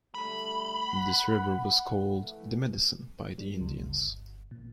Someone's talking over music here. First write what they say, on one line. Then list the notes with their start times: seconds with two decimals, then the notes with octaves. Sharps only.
This river was called "The Medicine" by the Indians.
0.14 D3 G3 A3 B5
0.87 F#5
2.20 E3 A3
3.38 G3
3.61 C#2
3.79 G1
4.51 A#2